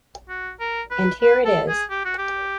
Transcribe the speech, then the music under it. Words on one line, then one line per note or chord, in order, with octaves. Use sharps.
And here it is.
F#4
A#4
B4
B4
A4
G#4
G4
F#4
G4